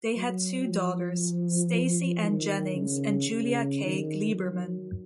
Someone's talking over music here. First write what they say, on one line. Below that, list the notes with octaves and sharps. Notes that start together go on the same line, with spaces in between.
They had two daughters, Stacy Ann Jennings and Julia Kay Glieberman.
F#3
F3
D#3
C#3
C#3
D#3
F#3